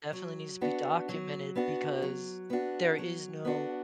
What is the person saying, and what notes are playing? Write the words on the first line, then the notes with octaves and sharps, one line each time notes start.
definitely needs to be documented because there is no
F#3
B3 D4 F#4
F#3
B3 D4 F#4
F#3
B3 D4 F#4
F#3
B3 D4 F#4